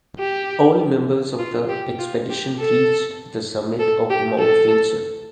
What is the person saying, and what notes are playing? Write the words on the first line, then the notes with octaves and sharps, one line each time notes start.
All members of the expedition reached the summit of Mount Vinson.
G4
F4
G4
F4
G4
A4
A4
G4
A4